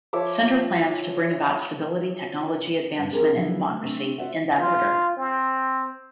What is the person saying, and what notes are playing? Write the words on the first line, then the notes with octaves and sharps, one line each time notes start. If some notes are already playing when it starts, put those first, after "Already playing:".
Center plans to bring about stability, technological advancement and democracy, in that order.
F3 C#5 E5 D6
G2
C4 G4 G#4 A#4
C#3 F3 F#3 B3 E4 F#5
A3
A3 C4 D4
F4 F#4 C5 D5 E5 F#5
F4
C4